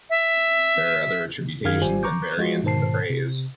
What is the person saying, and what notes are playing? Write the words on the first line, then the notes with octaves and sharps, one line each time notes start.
There are other attributions, and variants of the phrase.
E5
F#2 D#3 G#4 F5 F6 G#6
G#1 G3 F4 G4 C5 G#5
A#5 C#6 D6 G6
F3 G#3 F4 F#4
G#2 B2 D#3 C5 A5 C7
C3